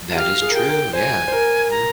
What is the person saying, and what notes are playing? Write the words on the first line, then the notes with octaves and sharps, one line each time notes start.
That is true, yeah, mhm.
G4 F5
G#4
A#4
G#4 G5
A#4
C5 G#5
C5
A#4
A#5